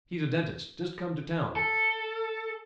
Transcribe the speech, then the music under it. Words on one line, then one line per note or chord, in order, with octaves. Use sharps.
He's a dentist, just come to town.
A4